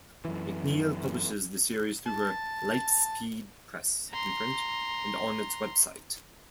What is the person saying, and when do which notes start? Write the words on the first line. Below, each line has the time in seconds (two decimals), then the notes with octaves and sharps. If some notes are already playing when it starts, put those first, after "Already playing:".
McNeil publishes the series through her "Lightspeed Press" imprint and on its website.
0.25 F#2 E3
2.06 A5
4.10 A#5 C6